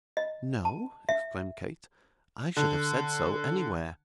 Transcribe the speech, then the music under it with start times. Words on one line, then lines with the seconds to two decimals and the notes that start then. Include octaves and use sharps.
'No!' exclaimed Kate, 'I should have said so anywhere.'
0.17 D#5
0.65 A5
1.09 E5
2.57 D3